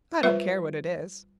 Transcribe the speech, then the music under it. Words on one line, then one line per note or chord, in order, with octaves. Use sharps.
I don't care what it is.
G3 F4 B4 C5 E5